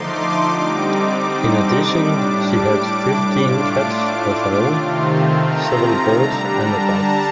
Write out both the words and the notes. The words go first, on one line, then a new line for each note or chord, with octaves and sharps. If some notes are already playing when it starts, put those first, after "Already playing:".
In addition, she had fifteen cats of her own, several birds and a dog.
Already playing: D3 F3 A3 D#4 C6 D6
D3 G3 C4 D#4
D6
A2 G3 D4
D6
A2 A3 D4 F4
C3 D#3 A3 C4 F4
A#5
D3 G3 D4
A5